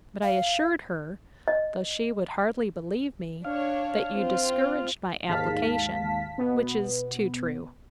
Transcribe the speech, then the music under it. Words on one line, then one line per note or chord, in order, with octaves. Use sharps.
But I assured her, though she would hardly believe me, that you discouraged my application: which is too true!
F5
D#5
D4 C#5 F5
C4 F4
D#2 G#2 F5 A5 B6
B2 B3